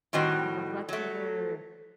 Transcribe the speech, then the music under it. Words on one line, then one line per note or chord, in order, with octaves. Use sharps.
a molecular
A2 D#3 G3 C4 F#4
F#3 A3